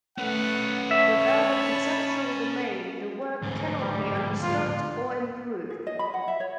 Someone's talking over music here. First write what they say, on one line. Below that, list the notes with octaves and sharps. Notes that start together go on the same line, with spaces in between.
Without a conceptual domain, the work cannot be understood or improved.
A3 C#4 B4 F#5
C#5 E5 A5 B5
D2 G#2
G3
F4
G#4
D#5
B5
F#5
E5
C#5